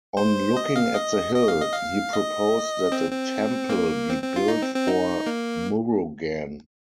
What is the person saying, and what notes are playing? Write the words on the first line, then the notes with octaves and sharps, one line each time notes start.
On looking at the hill, he proposed that a temple be built for Murugan.
C5
D#5
F5
D#5
D#5
F5
D#5
F5
D#5
C4
C4
A#3
C4
C4
F4
D#4
C4
C4
D#4
A#3